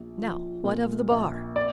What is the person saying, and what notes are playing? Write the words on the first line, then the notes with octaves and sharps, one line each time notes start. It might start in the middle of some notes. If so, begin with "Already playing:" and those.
Now what of the Bar?
Already playing: A#1
F3
A#2
A#1
D5